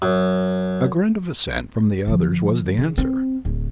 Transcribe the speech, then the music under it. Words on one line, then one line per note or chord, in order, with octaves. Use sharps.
A grunt of assent from the others was the answer.
F#2
D3 F3
C#3
C4
D1